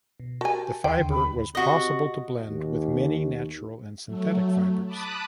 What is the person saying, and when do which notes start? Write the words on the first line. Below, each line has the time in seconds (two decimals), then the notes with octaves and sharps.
The fiber was possible to blend with many natural and synthetic fibers.
0.20 B2
0.41 F#4 G4 A#4 G#5 A5
0.84 D#2 G5 C6
0.99 D#2 D3
1.11 B5
1.55 C3 F#4 D#5
2.48 D#2
4.06 F#3 A3
4.85 A5 B5 D6 D#6 F#6